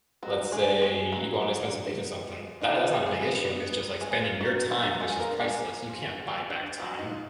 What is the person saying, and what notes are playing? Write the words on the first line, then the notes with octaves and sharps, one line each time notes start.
let's say you go on expensive dates or something, that that's not a big issue, it's just like spending your time, which is priceless, you can't buy back time.
F#3 G#3 F#4
G#3 D4 G#4
G#3 B3 G#4
F#3 G#3 F#4
G#3
D4
B3
G#3
F#3 D#4
F4
F#3
G#3 G#4
B3 D4 B4
D5
B3 D4 B4
F#3
G#3 G#4
F#3
F4
F#3 D4 F#4
F#3 D4 F#4
F3 G#3 G#4
A#3 A#4
D4
G#3 G#4
A#3
F3
F3
D4
F#3 A#3 F#4
D#4
F3